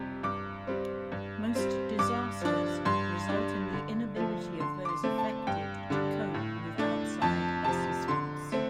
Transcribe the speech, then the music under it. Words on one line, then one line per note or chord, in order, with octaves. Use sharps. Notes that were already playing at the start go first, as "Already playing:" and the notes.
Most disasters result in the inability of those affected to cope with outside assistance.
Already playing: F2 C3 G3
G2 D6
G3 C4
G2
G3 C4
G2 D6
F3 D4
G2 C6
G3 D4
D3
F3 A3
D3 C6
D6
C6
A3 C4
A5
G2 G5
D3 G3 D4
A2
A3 D4
F2 A5
C3 F3 A5
D3 C6
A3 C4